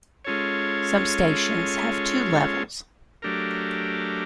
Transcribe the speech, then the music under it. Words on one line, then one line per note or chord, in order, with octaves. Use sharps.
Some stations have two levels.
G#3 C#4 F4 A4 C#5
F#3 A3 D4 G4 A#4